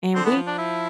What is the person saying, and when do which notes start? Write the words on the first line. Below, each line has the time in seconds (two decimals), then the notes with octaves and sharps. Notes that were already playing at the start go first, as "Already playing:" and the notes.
and we
0.14 D3 C4
0.25 E3 B3
0.36 F3
0.47 D4
0.58 E4